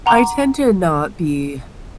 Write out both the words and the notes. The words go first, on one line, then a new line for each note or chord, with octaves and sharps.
I tend to not be
F#5 A#5 C6 D6